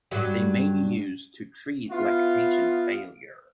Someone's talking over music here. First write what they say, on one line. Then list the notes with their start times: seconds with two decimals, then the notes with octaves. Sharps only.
They may be used to treat lactation failure.
0.11 G2 F#3
1.90 B3 E4 F4